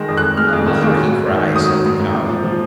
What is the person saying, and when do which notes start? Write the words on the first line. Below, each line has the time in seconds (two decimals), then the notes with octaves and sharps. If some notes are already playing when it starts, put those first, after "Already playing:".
"How loud he cries!" said the cow.
Already playing: D#3 G#3 A#6
0.08 F2
0.17 F#6
0.23 F2
0.37 G#3 F6
0.53 F2
0.67 D#3
0.82 G#3
0.97 F#3
1.11 G#2
1.27 D#3
1.40 D#3
1.56 F#3 D#6
1.70 F#3
1.86 G#2
2.00 G#2
2.15 A#2
2.30 F3
2.44 F3